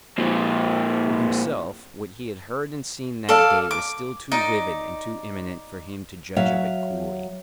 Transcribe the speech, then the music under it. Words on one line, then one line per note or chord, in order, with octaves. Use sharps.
For himself, what he had heard and seen that day was still too vivid and too imminent for him to judge of it coolly.
F2 A#2
A4 D5 F5
D6
D#4 D5
F#3 C#5 E5 F5